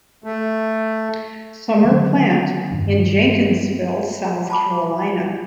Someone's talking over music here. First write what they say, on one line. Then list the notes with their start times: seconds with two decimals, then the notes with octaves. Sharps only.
Summer plant in Jenkinsville, South Carolina.
0.24 A3
1.85 D3 D#3 F#3 C#4
2.71 G2 D#3 D4
4.50 A5 B5 D6